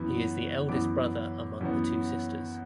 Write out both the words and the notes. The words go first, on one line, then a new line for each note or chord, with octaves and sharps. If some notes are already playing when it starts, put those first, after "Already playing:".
He is the eldest brother among the two sisters.
Already playing: F#2 E3 B3
F#2 E3 B3 D6
F#2 E3 B3